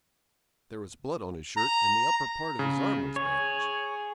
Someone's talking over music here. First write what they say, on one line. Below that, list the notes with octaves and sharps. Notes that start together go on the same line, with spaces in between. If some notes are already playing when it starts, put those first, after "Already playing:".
There was blood on his shirt, and the upper part of his arm was bandaged.
A#5
C#3
G#4 C#5